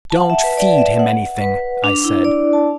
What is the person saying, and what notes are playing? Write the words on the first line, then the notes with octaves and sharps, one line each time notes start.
"Don't feed him anything," I said.
A5
F#5
E5
B4
D5
E5
F#5
B4
D4
E4
D5
A5